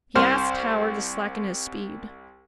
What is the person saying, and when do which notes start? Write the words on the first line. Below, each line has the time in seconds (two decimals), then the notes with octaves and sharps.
He asked Howard to slacken his speed.
0.15 C2 C5 F6